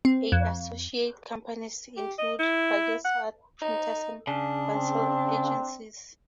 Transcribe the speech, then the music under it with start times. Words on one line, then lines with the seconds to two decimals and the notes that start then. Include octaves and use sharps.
Associate companies include Rajes Art Printers and Vansal Agencies.
0.05 C4
0.32 F2
1.97 G4
2.18 D#5
2.39 E4
3.05 F#5
3.62 D#4
4.27 C#3 D4
4.76 C4